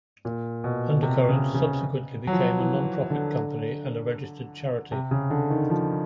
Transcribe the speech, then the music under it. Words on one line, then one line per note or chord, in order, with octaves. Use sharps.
Undercurrents subsequently became a non-profit company and a registered charity.
A#2
B2
C3
C#3
C#3
F#3
F3
E3
D3
C3
C#3
D3
D#3
F3